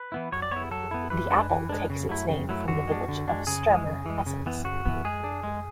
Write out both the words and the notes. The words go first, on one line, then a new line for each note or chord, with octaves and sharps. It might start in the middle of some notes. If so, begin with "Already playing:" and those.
The apple takes its name from the village of Sturmer, Essex.
Already playing: B4
E3 B3 E4
F#3 C#5
D5
B3 E4 C#5
F#3 A4
B3 E4
E3 B4
G#3 D4
E3
G#3 D4
C#3
F#3 A3 E4
C#3
F#3 A3 E4
D3 F#4
G#3 D4
D3
G#3 D4
C#3 G#4
E3 G#3
C#3
E3 G#3
C#3
E3 B3
C#3 F#4
E3 B3
G#3 G#4
D4
G#3